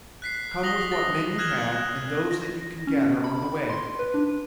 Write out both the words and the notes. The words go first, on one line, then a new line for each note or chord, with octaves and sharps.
Come with what men you have and those that you can gather on the way.
F#6 B6 C7
D#6 A#6 F#7 G7
A6
F6 F#6 G#6 E7 F#7
A#6
C#4
B5
C6
B4
D4